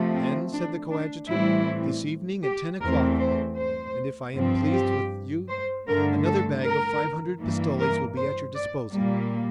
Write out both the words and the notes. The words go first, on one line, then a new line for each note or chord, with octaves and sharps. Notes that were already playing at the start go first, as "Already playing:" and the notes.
"Then," said the coadjutor, "this evening, at ten o'clock, and if I am pleased with you another bag of five hundred pistoles will be at your disposal."
Already playing: C3 F3 A3
C4
D4
D4
A2 E3 G3 C4 E4
G4
E2 E3 A3 C4 A#4
C5
C5
G2 F3 C4
G4
C5
G2 D3 A3 A#4
A4
A#4
G2 E3 A#3
A#4
C5
D5
A#2 G3 A#3